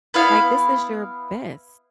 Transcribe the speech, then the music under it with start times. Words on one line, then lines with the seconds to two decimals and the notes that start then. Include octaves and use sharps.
Like, this is your best
0.14 B3 E4 F5